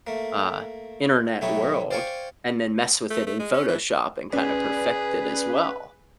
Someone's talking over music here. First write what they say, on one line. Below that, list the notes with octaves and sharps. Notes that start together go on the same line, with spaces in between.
uh, internet world and then mess with it in Photoshop and kinda perfect it as well.
A3 A#3
B1 A3 D#4 E4 G4 C#5
C5 D5 F5 G5 G#5 C#6
A3
A3
G#3
C#4
E3
C#4 G#4 B4 D5